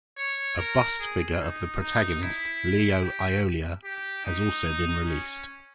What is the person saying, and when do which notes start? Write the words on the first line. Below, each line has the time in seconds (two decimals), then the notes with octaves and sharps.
A bust figure of the protagonist, Leo Aiolia, has also been released.
0.17 C#5
0.58 A#4
0.99 G#4
1.40 D#4
1.81 D#4
2.22 E4
3.03 G4
3.84 G4
4.25 D#4
5.06 C#4